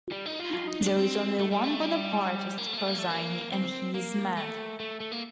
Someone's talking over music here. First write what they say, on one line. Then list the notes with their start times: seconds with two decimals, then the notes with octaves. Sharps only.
There is only one Bonapartist, Persigny - and he is mad!
0.12 G3
0.26 D#4
0.40 F4
0.53 F4
0.67 D#4
0.82 D4
0.97 C4
1.39 A3
1.51 G3
1.64 A3
1.81 G3
2.58 A#3
2.67 A3
2.73 A#3
2.78 A3
2.88 A#3
2.99 A3
3.10 A#3
3.52 C4
3.94 A#3
4.37 A3
4.80 A3
5.00 A3
5.12 A#3